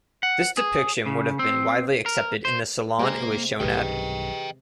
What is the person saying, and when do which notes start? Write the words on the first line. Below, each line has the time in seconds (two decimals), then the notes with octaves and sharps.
This depiction would have been widely accepted in the Salon it was shown at.
0.23 F#5
0.57 G#4
1.06 C#3
1.39 C4
2.06 A#4
2.45 C5
2.99 C3 G#3 A#3 A#5
3.60 B1 G2 D#3 G4 G#4 B4 D#5 G5